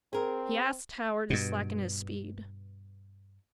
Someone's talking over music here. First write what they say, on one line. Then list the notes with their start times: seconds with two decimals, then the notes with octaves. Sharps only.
He asked Howard to slacken his speed.
0.13 C4 G#4 A#4
1.30 G2 B2